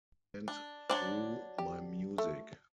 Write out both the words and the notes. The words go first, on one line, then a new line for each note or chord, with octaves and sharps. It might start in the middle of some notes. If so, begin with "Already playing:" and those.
And through my music.
D4
F#3 D4 C5 D5
G4
A3